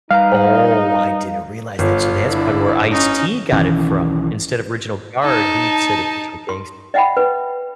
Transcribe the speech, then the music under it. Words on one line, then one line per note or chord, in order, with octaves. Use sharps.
Oh, I didn't realize that. So that's probably where Ice-T got it from. Instead of Original Guard, he'd said Original Gangster.
G3 D#4 B4 F5 A#5
G1 F4
D3 E4
C#4 D#4
B1 D#3 E3 C#4
D#4 A5
C6
D#5 E5 F#5 G5 B5
B4